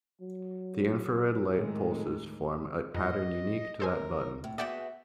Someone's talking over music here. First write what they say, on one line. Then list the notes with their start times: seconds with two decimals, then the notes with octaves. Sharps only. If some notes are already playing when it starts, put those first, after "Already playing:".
The infrared light pulses form a pattern unique to that button.
0.21 F#3
1.57 A2 D#3 G#3
2.95 F2 D#5
3.80 A4 A#4 C5 G#5
4.44 A2
4.58 B3 F#4 G#4 D5 E5 F#5 G5